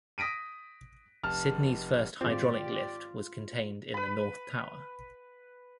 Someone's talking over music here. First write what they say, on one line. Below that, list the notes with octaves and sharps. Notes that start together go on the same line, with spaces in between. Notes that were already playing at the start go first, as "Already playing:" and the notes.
Sydney's first hydraulic lift was contained in the north tower.
D#6 A#6 B6 D7 D#7
F1 A5 F6
G#1 C4 F4 G4 D5
B4 B5